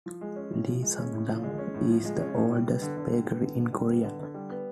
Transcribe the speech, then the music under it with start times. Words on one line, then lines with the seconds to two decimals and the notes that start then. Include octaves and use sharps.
Lee Sung Dang is the oldest bakery in Korea.
0.06 F3
0.21 G#3
0.36 C#4
0.51 A2
0.68 F3
0.82 G#3
0.98 C#4
1.13 A2
1.29 F3
1.43 G#3
1.58 C#4
1.74 A2
1.89 F3
2.05 G#3
2.20 C#4
2.35 A2
2.51 G3
2.66 B3
2.82 D3
2.97 D3
3.12 G3
3.27 B3
3.43 D3
3.58 D3
3.73 G3
3.88 B3
4.04 D3
4.19 D3
4.34 G3
4.49 B3